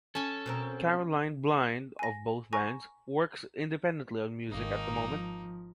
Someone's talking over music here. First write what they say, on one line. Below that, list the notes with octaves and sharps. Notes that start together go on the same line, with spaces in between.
Caroline Blind of both bands, works independently on music at the moment.
C#4 A4 G#5
B2 C4 A#4
G#5 A#6
G#5 A#5 C#6 A#6
G#1 D#3 A#3 D#4
F3